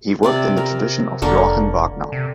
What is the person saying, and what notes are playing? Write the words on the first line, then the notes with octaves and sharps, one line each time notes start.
He worked in the tradition of Joachim Wagner.
C3 C4 D5
A#4
F1 D3 A#3 C#6
C3